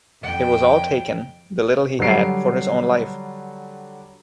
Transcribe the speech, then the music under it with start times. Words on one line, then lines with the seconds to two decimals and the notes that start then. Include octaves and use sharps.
It was all taken, the little he had, for his own life.
0.22 F2 G5
1.99 D3 F#3 G3 C7 D7